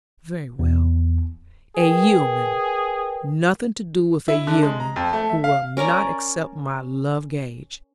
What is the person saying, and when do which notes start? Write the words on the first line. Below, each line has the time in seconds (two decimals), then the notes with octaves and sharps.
'Very well, a yeoman--nothing to do with a yeoman who will not accept my love-gage.
0.59 E2
1.77 G#4 A#4 B4 G5
4.28 E4
4.47 D3
4.63 G#3
4.80 A#5
4.96 F2
5.13 A3
5.29 E5
5.44 F5
5.77 C#4 A#4 D5 A#5